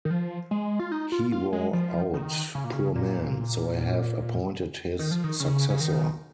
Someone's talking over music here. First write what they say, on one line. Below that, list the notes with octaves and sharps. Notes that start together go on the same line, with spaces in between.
He wore out, poor man, so I have appointed his successor.
D#3
F3
G#3
F4
D#4
F4
F4
G#3
F3
D#3
C#3
A#2
C#3
A#2
D#3
F3
D#3
C#3
C#3
D#3